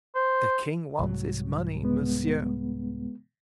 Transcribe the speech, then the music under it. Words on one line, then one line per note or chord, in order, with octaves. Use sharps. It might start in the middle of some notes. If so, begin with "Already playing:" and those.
"The king wants his money, monsieur."
C5
C2 G#2 F#3
G#3 B3